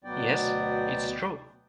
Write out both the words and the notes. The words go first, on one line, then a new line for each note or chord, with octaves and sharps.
Yes, it’s true.
D2 B2 F#3 B3 D5 G5